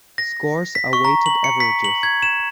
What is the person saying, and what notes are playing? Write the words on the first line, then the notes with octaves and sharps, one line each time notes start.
Scores are weighted averages.
A#6
B6
C#6
A#5
F#7
C#7
B6
F#7
G#6
E7